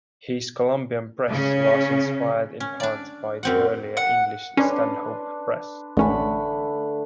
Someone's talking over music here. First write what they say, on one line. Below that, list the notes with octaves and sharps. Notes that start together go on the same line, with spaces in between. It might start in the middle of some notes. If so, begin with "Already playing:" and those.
His Columbian Press was inspired in part by the earlier English Stanhope press.
C#3 C#4
C#4
D4 D5
F#2 C4 F#5
F#5
C#4 D4 B4 C6
A1 D3 A3 C#4 B5